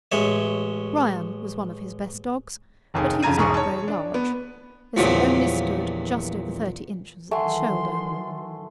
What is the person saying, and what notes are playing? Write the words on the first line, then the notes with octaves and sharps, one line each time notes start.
Brian was one of his best dogs, but he was not very large, as he only stood just over thirty inches at the shoulder.
A1 G#3 C#5 E5
F1 D#2 G#4
F2 C#3 A5 A#5 G#6 D#7
E1 G#2 G#4 A#5 C#6
C#5 A5
D4
B3
E2 G2 A#2 C#3 F3
D#3 E3 F#3 A3 F#5 G#5 C6